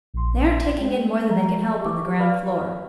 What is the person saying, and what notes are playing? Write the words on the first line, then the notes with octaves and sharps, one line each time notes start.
They aren't taking in more than they can help on the ground-floor.'
A#1 C6
G#3 G5
F3 G#3 A#5
G4 C#6 D6
B4 D5 F5 B5 F6